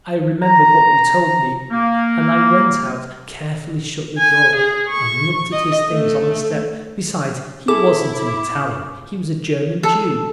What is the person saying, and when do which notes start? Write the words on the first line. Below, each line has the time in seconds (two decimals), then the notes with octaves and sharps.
I remembered what you told me, and I went out, carefully shut the door, and looked at his things on the step. Besides, he wasn't an Italian--he was a German Jew.
0.43 A#5
1.71 A#3
4.18 G#5
4.56 G#4
4.89 C#6
5.53 D#5
5.90 A3
7.68 E4 G#4 A4 D6
9.83 A4